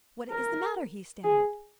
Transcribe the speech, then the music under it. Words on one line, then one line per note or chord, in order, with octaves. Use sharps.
"What is the matter?" he stammered.
A#4
G#4